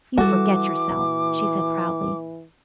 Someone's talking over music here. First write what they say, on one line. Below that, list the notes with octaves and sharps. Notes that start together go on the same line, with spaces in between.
"You forget yourself," she said proudly.
E3 G3 F#4 A4 D6
A#2